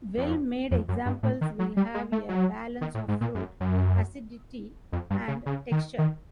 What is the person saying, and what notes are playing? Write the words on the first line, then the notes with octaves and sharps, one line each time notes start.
Well made examples will have a balance of fruit, acidity and texture.
F2
F2
F#2
G2
A2
D#3
F#3
G3
G#3
A3
F#3
D#3
A2
G#2
A#2
F#2
F#2
F2
G2
C#3
C#3
D#3
D#3